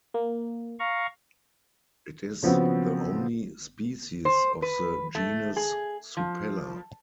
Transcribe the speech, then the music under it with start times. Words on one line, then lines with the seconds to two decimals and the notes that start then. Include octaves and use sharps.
It is the only species of the genus Supella.
0.14 A#3
0.79 F5 A#5 C#6
2.43 C#3 F3 B3 C4 F#4
4.25 C5
4.62 B4
5.15 A3
5.56 G#4
6.17 F3